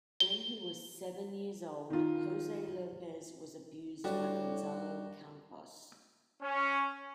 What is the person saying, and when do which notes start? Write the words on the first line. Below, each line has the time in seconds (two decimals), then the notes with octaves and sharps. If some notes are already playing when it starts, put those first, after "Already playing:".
When he was seven years old, Jose Lopez was abused by Gonzalo Campos.
0.20 G7
1.90 D#3 F4
4.04 A2 G3 D4 F#4
6.42 C#4